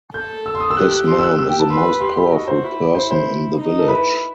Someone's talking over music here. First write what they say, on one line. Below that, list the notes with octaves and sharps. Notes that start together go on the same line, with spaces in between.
This man is the most powerful person in the village.
A4 G6
E6
C6
D#6
E6
G4 F#6
F#6
G4 C6
E6
F#6
E6
G5
A5
B4 C6
B5
G4 C6
B5
F#4 D#5
C5
E4
E4 C5
C5
D#4
A4
E4 B4